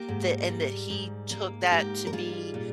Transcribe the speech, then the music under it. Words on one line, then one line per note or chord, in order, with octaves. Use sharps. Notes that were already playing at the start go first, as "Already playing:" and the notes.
that and that he took that to be
Already playing: A#3 G4 A#4
G#2
G3
G#2
A#3
G#4
G#2 G4 A#4
A#4
G3 F4 G#4
A#2